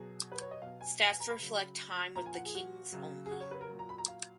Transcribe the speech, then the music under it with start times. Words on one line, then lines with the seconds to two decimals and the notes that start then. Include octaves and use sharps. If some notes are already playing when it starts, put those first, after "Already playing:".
Stats reflect time with the Kings only.
Already playing: B2 F#3 G#4
0.32 B4
0.41 C#5
0.51 D#5
0.62 B2 F#3 F5
0.81 G#5
1.00 F5
1.10 G#5
1.20 A#5
1.30 B5
1.39 C#3 F#3
2.15 A#2 F3 A#5
2.26 G#5
2.35 F#5
2.45 G#4
2.55 F#4
2.92 C#3 F#3
3.26 G#4
3.31 F#4
3.40 C#5
3.51 B4
3.61 A#4
3.69 A#2 F#3
3.79 A#5
3.89 B5
3.98 A#5
4.08 F5